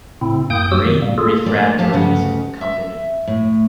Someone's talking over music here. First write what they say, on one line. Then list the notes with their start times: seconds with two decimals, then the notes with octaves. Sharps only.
Green Refractories Company.
0.21 A2 C#3 C4 E4
0.50 F#2 A#3 G5 D#6 G6
0.71 F#2 F#3 F#4 G4 D#6 E6
0.85 D#3
1.02 A2 G3 A#3
1.18 F4 G#4 A4
1.46 A2 A#3 D4 G4 D5
1.78 F3 G4 F5 A5
1.93 D2 G2 C#3 D#4 G4 F#5
2.61 E5
3.27 A2